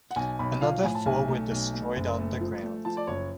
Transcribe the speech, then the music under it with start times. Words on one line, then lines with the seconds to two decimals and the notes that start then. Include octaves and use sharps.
Another four were destroyed on the ground.
0.11 F#5
0.16 B1 G#5
0.39 B1 B5
0.61 F3 F5
0.83 A2 G#5
0.95 A5
1.06 B1 G#5
1.28 A3
1.51 B1
1.74 A3
1.96 F#1
2.18 A3
2.40 F3
2.63 A3
2.85 F3 A5
2.97 D5
3.07 F#1 C#5